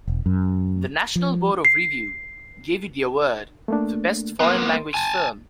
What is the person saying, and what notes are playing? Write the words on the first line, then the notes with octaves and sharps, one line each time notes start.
The National Board of Review gave it the award for Best Foreign Language Film.
E1
F#2
F3
C7
A3 A#3 D4
A#3 B3 C6
G#5 A5